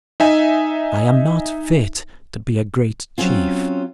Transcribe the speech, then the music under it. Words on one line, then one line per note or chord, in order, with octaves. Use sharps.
I am not fit to be a great chief.
D#4 E5 G#5
F#3 C4 C#4 F4